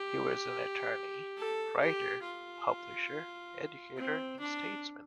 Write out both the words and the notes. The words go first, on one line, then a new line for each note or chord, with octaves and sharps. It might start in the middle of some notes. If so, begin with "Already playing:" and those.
He was an attorney, writer, publisher, educator, and statesman.
Already playing: G4
A4
G4
F4
C4
D4